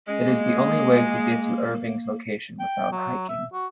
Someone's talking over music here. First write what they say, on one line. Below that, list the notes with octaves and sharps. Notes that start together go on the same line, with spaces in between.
It is the only way to get to Erving's Location without hiking.
G#3 C#4
A#3
G5
F#3
E5
F#4